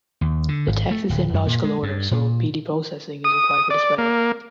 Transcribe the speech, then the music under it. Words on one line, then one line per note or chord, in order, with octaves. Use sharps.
The text is in logical order, so bidi processing is required for display.
D#2
D3
G#1
A3
D1
F#2
A#2
G#3
G2
A#2
D#6
D5
A#3